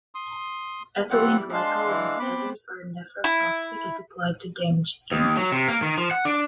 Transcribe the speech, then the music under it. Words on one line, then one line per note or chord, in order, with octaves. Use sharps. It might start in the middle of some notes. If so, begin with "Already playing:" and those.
Ethylene Glycol and its ethers are nephrotoxic if applied to damaged skin.
C6 D#6
E3 G3 C4 F4 F#5
G#3 D4 F5 A5 C6
E3
B3 C4 B5 D6
E4
D#2
F#3
C3
A#3
D#3
F3
F#5
D4